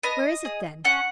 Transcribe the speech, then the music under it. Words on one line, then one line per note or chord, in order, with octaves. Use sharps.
"Where is it, then?"
B3 D#5
G#4
C#4 F#5